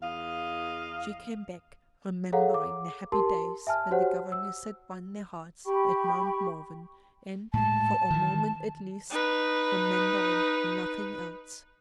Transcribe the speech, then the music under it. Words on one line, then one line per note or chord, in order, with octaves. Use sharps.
She came back; remembering the happy days when the governess had won their hearts at Mount Morven, and, for a moment at least, remembering nothing else.
E2 D#5 F5
G#4 A4 C#5 F5 F#5 A#5
D6
G4 A#4 A5 C6
E5 G#5 A5 F6
F#4 G4 C5 C#5 F#5
E6
G4 G5 B5 C#6
A2 G#3 A5
D#3 E3
D#4 B4